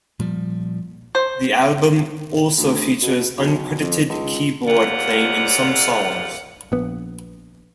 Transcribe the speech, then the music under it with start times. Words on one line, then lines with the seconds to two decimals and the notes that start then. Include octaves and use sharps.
The album also features uncredited keyboard playing in some songs.
0.19 A#2 F3 G3
1.15 C5
2.58 D2
3.02 B2
3.38 B1
3.80 F2
4.09 C#2
4.67 D#2 G#2 F4 D5 F#5
6.72 A#1 B3